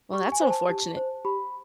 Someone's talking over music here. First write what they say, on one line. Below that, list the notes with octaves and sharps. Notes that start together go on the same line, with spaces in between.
well, that's unfortunate.
G4 C#6
G#5
C5
A5
G4
C5
G4 B5